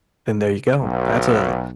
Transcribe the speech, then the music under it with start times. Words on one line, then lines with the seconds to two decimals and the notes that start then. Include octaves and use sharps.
then there you go. That's a
0.82 B1